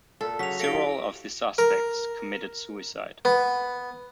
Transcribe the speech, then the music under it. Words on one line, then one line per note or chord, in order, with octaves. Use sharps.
Several of the suspects committed suicide.
A#2 A4
C#3 F#3 B6 F7
E4 G4 A4 F5 A#6 D7 G7
A#4
B3